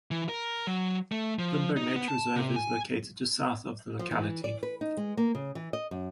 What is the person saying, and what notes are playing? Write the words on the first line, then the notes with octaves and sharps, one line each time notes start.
Vinberg Nature Reserve is located just south of the locality.
E3
A#4
F#3
A3
F3
D#4
B3
A5
C3
G#5
F3
E3
D5
B4
D#4
G#3
A#3
C#3
E3
D#5
F#2